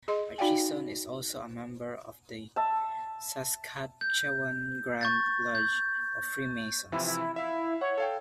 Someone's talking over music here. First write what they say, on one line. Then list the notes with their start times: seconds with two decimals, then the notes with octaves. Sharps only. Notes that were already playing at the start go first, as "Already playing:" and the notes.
Atchison is also a member of the Saskatchewan Grand Lodge of Freemasons.
0.08 G#4 D#5 C6
0.38 D#4 F#4 D5 F5 G5 G#5
2.56 E5 A5
4.01 G6
5.01 C#6 G6 A6
5.55 G6
6.92 C3 E3 F3 E4
7.06 E4
7.36 E4 E5 F5
7.81 C#5 F#5
7.98 A4 F5 G5